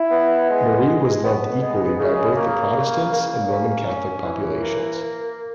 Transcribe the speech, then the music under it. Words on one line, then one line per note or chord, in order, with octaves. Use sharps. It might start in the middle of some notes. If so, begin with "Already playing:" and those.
Marie was loved equally by both the Protestants and Roman Catholic populations.
Already playing: E4
B3
G#3
B2
B3
G#3
C#3
A#3
C#3
A#3
C#4
C#4
E3
A#3